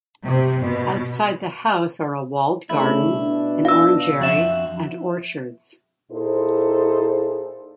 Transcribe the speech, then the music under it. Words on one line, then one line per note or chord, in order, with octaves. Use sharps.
Outside the house are a walled garden, an orangery and orchards.
C3
B2
C#3 A3 D4 E4
B2 D4
F5 E6
F2 F#4 E5
A#2 D#4 E4 G#4 A4 C5